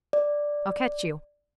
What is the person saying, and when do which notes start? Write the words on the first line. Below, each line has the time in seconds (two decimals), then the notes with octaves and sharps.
I'll catch you.
0.13 D5